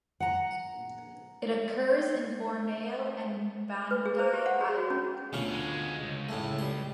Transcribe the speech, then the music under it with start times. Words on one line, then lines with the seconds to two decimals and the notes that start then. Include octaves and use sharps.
It occurs in Borneo and Banggai Island.
0.20 F#5 A#5
3.91 B4
4.06 G#4
4.19 C5
4.33 G4
4.46 F#5
4.61 G#4
4.77 F#4
4.90 C#4
5.33 D2 B2 C#4 F4
5.51 G#3 B3
6.03 C#2
6.29 A2 C#3 A3
6.59 G3 C6